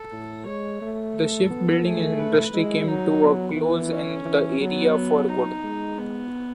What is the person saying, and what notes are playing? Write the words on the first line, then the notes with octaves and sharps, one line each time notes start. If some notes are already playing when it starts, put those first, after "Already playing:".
The shipbuilding industry came to a close in the area for good.
Already playing: A4
A2
G#3 C#5
A3
A4
B3
A3 G#4
B4
G#3 E4
F#3 D#4
B3
E3
C#4
E3
F#3 B3
D#4
G#3
B3